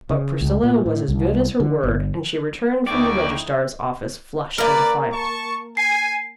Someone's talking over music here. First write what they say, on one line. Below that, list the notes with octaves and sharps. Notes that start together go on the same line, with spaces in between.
But Priscilla was as good as her word, and she returned from the registrar's office flushed and defiant.
C#3
C#2
A#2
A2
C2
D3
G1
D2 D3 A#3 D#4 E4 D5 G5 C#6
A#3 A#4 B4 D5
A5 C#6
G#5 C7